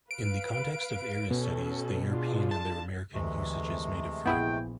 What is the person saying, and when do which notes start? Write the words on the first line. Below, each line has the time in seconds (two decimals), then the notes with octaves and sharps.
In the context of area studies, the European and the American usages may differ.
0.11 B4 F5 D7
1.31 B2 C#4 A4
2.08 D4 F4 G#4
2.51 A5
3.14 D2 C3 E3 G#3 A3
4.26 A#1 B3 E4 G#4 G5